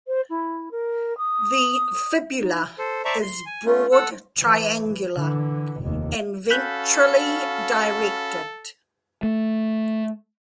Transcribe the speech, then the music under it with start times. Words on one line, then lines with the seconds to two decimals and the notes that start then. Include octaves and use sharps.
The fibula is broad triangular and ventrally directed.
0.07 C5
0.29 E4
0.71 A#4
1.17 D#6
2.39 D#4
2.78 A4 C5
3.05 C5 D5 E5 A5 A#5 C#6
3.22 C6
3.46 G#5
3.65 A3 C#4 F4
3.92 A4 F#5 E6
4.37 E3
5.16 D3 E3
5.82 F1 D#2
6.50 C#4 F#4 A4 F5 B5 F#6 G6 B6
9.23 A3